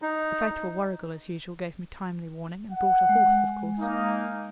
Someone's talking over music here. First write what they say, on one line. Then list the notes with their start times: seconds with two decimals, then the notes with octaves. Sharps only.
'The faithful Warrigal, as usual, gave me timely warning, and brought a horse, of course.
0.02 D#4
2.71 F#5
3.09 G#3 G#5
3.79 A#3 D#4